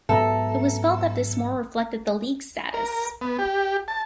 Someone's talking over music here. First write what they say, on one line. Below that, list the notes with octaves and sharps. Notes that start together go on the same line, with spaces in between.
It was felt that this more reflected the League's status.
G#2 F#3 B3 A4 E5 A#5
A#4
B3
G4
A5